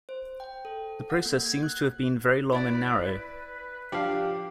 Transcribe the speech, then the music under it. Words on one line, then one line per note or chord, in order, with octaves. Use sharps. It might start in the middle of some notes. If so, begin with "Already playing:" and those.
The process seems to have been very long and narrow.
C5
G5
A4
F#5
A#3
G#6
F#6
E4 B4 D5
F3 D4 G4 F5